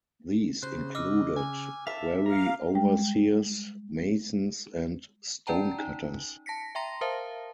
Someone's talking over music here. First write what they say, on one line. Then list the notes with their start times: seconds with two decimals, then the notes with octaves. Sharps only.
These included quarry overseers, masons, and stonecutters.
0.63 C#3 C5 F#6
0.95 D#5 D6 E6 F6
1.37 G#5
1.87 E5 F5 A5 B6
2.26 F5 A#5
2.75 G3 G#3 G5
5.47 C#4 D5 G5 A5 A#5
5.79 D#4
6.46 A5 A#6 B6 C#7
6.75 E5 G5 A#5 C6 A#6
7.01 A#4 C5 E5 F5 A5